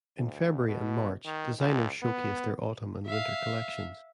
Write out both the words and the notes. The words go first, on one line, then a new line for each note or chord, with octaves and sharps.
In February and March, designers showcased their autumn and winter collections.
D2
B2
D#3
C#2
B3
E5 F5